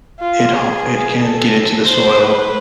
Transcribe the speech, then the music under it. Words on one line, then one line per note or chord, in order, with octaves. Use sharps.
it ha it can get into the soil,
F4
G#4
A4
C5
B4